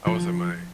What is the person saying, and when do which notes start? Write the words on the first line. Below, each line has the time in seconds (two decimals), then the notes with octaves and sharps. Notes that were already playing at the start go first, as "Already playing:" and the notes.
I was at my
0.07 F3